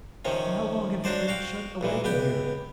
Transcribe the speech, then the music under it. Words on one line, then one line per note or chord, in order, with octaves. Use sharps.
"And how long have you been shut away in here?"
C3 D#3 F3 C#4
F#3 D4 F#4 C5 D5
F#4 F5 G5
B1 A#2 E3
C#2 B3 G4 G5